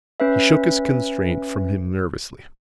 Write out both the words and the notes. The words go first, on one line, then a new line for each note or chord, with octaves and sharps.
He shook his constraint from him nervously.
C#4 B4 E5